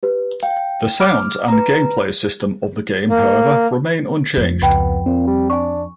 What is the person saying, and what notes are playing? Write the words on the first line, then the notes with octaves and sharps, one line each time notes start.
The sounds and gameplay system of the game however, remain unchanged.
G4 B4
F5 G5
B5 D6 F6 D7
B4 A#5
A#3
F2
C#2 B3 G5 B5
A#2 C4
G3
D4 G#5 C#6